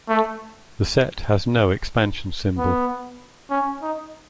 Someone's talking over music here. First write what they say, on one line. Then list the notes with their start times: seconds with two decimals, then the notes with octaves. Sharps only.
The set has no expansion symbol.
0.08 A3
2.58 B3
3.50 C#4
3.82 D#4